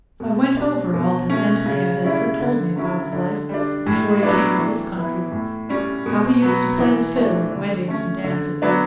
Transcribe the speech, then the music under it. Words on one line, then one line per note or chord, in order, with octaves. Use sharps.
I went over all that Antonia had ever told me about his life before he came to this country; how he used to play the fiddle at weddings and dances.
B2
G3 D4
B2
A3 C#4
C#3
G3 C#4 E4
D3
F#3 C#4 E4
D3
G3 D4
A2
F#3 B3 D4
E3
B3 E4
A2
G3 C#4
B2
F#3 B3
E3
A3 D4
D3
A3 C#4
D3
F#3 B3 D4